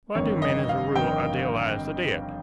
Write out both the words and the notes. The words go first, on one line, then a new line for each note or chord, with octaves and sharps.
Why do men as a rule idealize the dead?
G1 F2 D#3 C#5
D#5
F5
G1 F2 D#3 G5